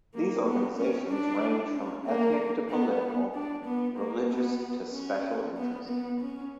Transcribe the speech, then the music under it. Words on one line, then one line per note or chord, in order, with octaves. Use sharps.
These organizations range from ethnic to political, religious to special interest.
A#3
B3
C#4
D4
C#4
A#3
B3
D4
B3
A#3
B3
C#4
B3
B3
C#4